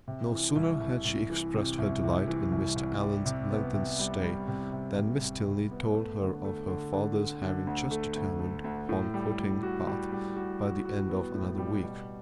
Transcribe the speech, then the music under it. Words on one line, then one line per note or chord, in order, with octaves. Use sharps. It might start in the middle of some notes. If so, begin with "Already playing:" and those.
No sooner had she expressed her delight in Mr. Allen's lengthened stay than Miss Tilney told her of her father's having just determined upon quitting Bath by the end of another week.
C3
E3
C2
C2
C2
E3
C3
C2
C3
E3
C2
C2
G3
C3
B3
C3
G3
G3
C3
C3
C3
C3
C3
B3
A3
D3
A3
D3
D3
D3
D3
D2
A3
D2
A3
D2
A2
G3
G3
F#4
G3
G3
F#4
F#4
F#4
B3
A2
G3
B2